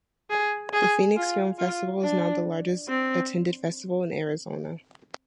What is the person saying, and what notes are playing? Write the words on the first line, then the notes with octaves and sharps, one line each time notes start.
The Phoenix Film Festival is now the largest attended festival in Arizona.
G#4
G#4
F4
F4
D4
C4